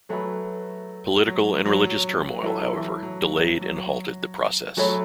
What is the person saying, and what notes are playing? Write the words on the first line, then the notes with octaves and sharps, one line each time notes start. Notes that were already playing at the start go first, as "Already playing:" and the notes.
Political and religious turmoil, however, delayed and halted the process.
F#3 A3 G#4 B4 E5 B5
F#3
F#3
F#3
F#3 E4 A4 E5 A5
E3
F#3
F#3
F#3 A3 G#4 C#5 E5 B5